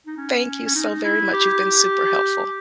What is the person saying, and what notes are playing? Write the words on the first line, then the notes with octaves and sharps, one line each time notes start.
thank you so very much, you've been super helpful.
D#4
C#4
C#4
D#4
E4
G4